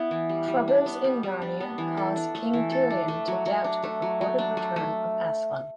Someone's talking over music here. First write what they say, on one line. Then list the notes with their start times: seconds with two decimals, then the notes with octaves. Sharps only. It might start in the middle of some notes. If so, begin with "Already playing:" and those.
Troubles in Narnia cause King Tirian to doubt the purported return of Aslan.
Already playing: B3 E4
0.11 E3
0.29 G3
0.48 G3
0.68 D4
0.86 B3
1.04 G3
1.23 G3
1.42 D4
1.60 B3
1.78 E3
1.97 A4
2.16 D4
2.35 A3
2.53 E3
2.72 A4
2.90 D4
3.08 A3
3.28 F#3
3.46 F#3
3.64 D4
3.83 A3
4.02 F#3
4.21 F#3
4.38 D4
4.57 A3
4.76 A3